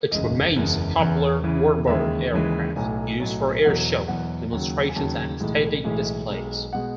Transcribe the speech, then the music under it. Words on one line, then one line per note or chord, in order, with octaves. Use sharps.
It remains a popular warbird aircraft used for airshow demonstrations and static displays.
F#1 E2 C#3 G#3 D#5
F#1 E2 C#3 G#3
E2 C#3 E3
E2 C#3 E3
D#2 C#3 E3 G#3 E5
D#2 C#3 E3 G#3
B1 A2 F#3 G#5
B1 A2 F#3
E2 B2 F#3 F#5
E2 B2 F#3 F#5
D#2 C#3 F#3
G#5
D#2 C#3 F#3 A5
B1 A2 E3 G#3
B1 A2 E3 G#3 G#5
B1 B2 G#3
B2 G#3 F#5